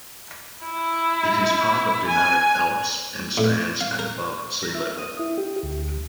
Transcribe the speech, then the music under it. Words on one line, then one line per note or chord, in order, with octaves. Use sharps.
It is part of Dinaric Alps and stands at above sea level.
E4
G#5
A2
F5
A#4
A#5
E5
D#6
E4
G4
D2